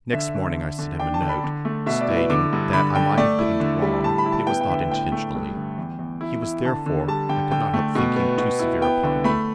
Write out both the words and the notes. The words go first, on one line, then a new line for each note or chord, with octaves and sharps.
Next morning I sent him a note, stating, that I might have been in the wrong, but it was not intentionally; he was therefore, I could not help thinking, too severe upon me.
D3 E5
D3
D3
D3
D4 G5
A5
D3
B5
D3
A3
B2 E5
D5
E4
B4
D3 D6
G2
D3 B5
D3 G5
A3 D5
E4
D3
G3
A2 A5
B5
E4
A5
B3 G5
G5
D3 E5
A2 G5
A3
G2
D3
E2
E2
E4
E4
D3 A5
D3
G3 A5
D3 G5
D3 G5
A3
B2
B3
B2
E4
B3 G5
D3
A3 B5